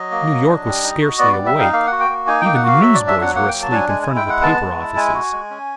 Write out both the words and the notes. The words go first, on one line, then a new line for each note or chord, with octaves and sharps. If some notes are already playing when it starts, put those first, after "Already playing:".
New York was scarcely awake; even the newsboys were asleep in front of the paper offices.
Already playing: F#3 D#5
A#3
F#3
D4
G3
D#4
F#4
B3 D5
G3 D5
E5
D#4 F5
A#3 F5
F#5
F#4
G5
A#3
D#4 G#5
A#3 G5
F#5
F#4 F5
F#3 E5
D4 D5
E5
F#3 F#5
A#3 F#5
F#3 G5
A5
D4 G#5
G#3 G#5
E4 G#5
G5
G#3 F#5
B3 A5
G#3
E4
G#3 G#5
F#4
G#3
C#4